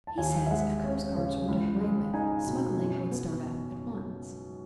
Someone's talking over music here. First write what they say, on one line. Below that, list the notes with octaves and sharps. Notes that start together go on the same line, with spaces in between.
He says if coastguards were done away with, smuggling would start up at once.'
A5
D#2 G#5
E5
G#3 F#5
C#4
C#3
C#2
G#3
D#4 G#5
B2
F#2
B3